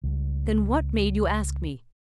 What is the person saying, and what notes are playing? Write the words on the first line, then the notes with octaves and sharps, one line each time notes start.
Then what made you ask me?
C#2 G3